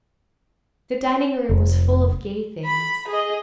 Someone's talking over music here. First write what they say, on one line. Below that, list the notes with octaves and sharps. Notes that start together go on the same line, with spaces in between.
The dining-room was full of gay things.
F1
B5
G#4 D#5